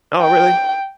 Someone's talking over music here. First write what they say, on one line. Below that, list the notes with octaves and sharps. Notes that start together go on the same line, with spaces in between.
Oh, really?
G5